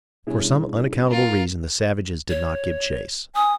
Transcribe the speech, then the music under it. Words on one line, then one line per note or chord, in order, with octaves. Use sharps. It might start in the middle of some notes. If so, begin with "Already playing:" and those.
For some unaccountable reason the savages did not give chase.
B2 G3 C#4 D4 E4 G#4
F4 A#4
C#5
G#5 D#6